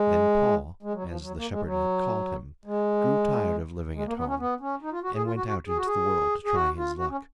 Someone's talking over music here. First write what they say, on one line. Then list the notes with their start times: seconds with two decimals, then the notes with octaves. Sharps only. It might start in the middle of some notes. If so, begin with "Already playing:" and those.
Then Paul, as the shepherd had called him, grew tired of living at home, and went out into the world to try his luck.
Already playing: G#3
0.83 G#3
0.94 F#3
1.07 F3
1.22 F#3
1.37 A#3
1.51 G#3
1.65 F#3
2.65 G#3
3.96 G#3
4.06 A#3
4.17 B3
4.27 C#4
4.39 B3
4.60 C#4
4.82 D#4
4.92 F4
5.03 F#4
5.15 G#4
5.24 F4
5.36 F#4
5.46 F#4
5.68 G#4
5.77 F#4
5.86 G#4
6.45 G#4
6.54 F#4
6.77 F4
6.98 F#4
7.09 C#4